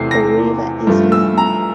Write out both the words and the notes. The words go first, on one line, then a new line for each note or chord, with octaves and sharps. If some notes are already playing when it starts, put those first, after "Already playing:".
The river is long.
Already playing: E2 C3 E3 A3 C7
A#6
G2 F3 A3
E6
A#5